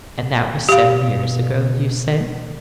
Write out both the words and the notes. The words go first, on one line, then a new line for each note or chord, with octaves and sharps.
'And that was seven years ago, you say?'
B2 G4 F5